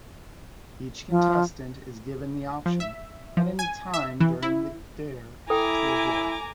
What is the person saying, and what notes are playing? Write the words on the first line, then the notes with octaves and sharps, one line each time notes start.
Each contestant is given the option, at any time during the dare, to abort.
F3
F3
E5
F3
G#5
E5
E3
E4
E4 A4 G5 G#5 A#5 D6